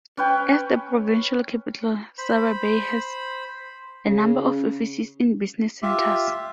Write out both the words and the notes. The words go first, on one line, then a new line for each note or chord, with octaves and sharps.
As the provincial capital, Surabaya has a number of offices and business centers.
C#4 B4 G5
C5 B5
C#3
F4 G4 E5